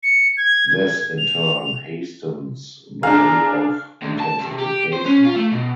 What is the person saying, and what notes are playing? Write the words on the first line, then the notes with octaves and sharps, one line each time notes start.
This in turn hastens the rate of intensification.
C#7
G#6
G#6
F7
D4 G#4 F5 A#5
D2
A5
C3
G4
C5
C#4
F4
A3
B2